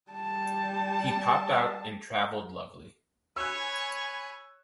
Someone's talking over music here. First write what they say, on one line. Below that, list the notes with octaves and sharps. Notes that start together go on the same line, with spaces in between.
He popped out and travelled lovely.
G3 A5
C#5 G#5 B5 E6 F#6